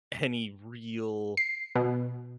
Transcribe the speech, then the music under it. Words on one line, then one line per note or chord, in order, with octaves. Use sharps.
any real
C7
B2